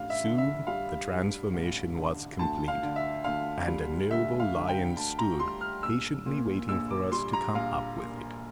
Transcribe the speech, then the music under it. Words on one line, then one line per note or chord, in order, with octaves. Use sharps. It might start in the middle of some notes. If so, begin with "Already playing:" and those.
Soon the transformation was complete: and a noble lion stood patiently waiting for us to come up with it.
Already playing: A1 G2 F5
E5
D3
E5
G3 F5
G2
A1
D3
D2 A5
F5
D3
E5
D2 F5
G3
D2 E5
F5
D3
G5
D2 A5
A#5
G3 C6
F6
A#1 E6
A#2
A#1 E6
D6
G3 C6
A#5
A#1 F5
A#2